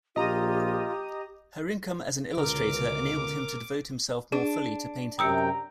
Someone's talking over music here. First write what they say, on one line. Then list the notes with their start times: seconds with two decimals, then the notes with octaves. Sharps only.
Her income as an illustrator enabled him to devote himself more fully to painting.
0.16 A#1 F4 G4 D#5 A#5 D#6
2.37 C#2 B2 D3 A#4 A#5 D6
4.32 D4 G#4
5.19 F#2 C3 G5 A#5 D#6 E6 C#7